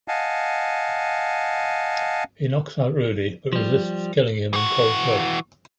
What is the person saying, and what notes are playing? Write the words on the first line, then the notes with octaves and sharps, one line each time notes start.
He knocks out Rudy but resists killing him in cold blood.
D#5 F5 F#5 G#5 A5
F3 G3
E3 F#4